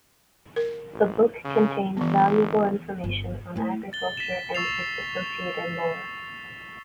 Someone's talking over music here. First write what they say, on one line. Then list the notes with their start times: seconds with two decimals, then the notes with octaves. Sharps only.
The book contains valuable information on agriculture and its associated lore.
0.56 A#4
0.93 A1
1.45 C#3
1.97 G1 E3 B3
3.04 G1
3.56 A3 E4
3.93 A6 G7
4.17 B6 E7
4.55 C#6 E6 A6 C7 F7